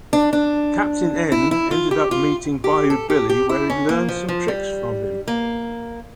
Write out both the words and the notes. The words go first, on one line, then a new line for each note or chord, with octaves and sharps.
Captain N ended up meeting Bayou Billy where he learned some tricks from him.
D4
D4
E4
E4
F4
G4
F4
G4
A4
G4
G4
E4
C#4
A#3
F3
F3
G3
A#3